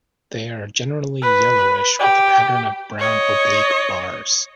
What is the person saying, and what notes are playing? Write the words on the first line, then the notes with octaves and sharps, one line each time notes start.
They are generally yellowish with a pattern of brown oblique bars.
B4
G4
C#5 D#5